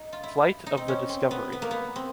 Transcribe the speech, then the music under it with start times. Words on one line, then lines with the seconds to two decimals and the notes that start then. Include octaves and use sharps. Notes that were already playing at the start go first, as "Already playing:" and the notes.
Flight of the Discovery.
Already playing: D#4
0.13 F4
0.23 E4
0.66 D#4
0.77 C4
0.88 C#4
1.09 C4
1.31 B3
1.53 B3
1.62 A#3
1.71 B3
1.96 C4